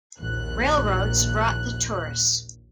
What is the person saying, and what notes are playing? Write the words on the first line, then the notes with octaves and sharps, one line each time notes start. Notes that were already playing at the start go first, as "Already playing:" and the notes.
Railroads brought the tourists.
A#1 D#2 F#6